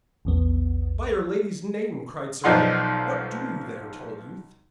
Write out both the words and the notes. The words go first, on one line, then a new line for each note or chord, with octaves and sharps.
'By'r Lady's name!' cried Sir Owen, 'what do you there, tall youth?'
A#1 E2 B3
B1 F3 D#4 D5 F#5 C6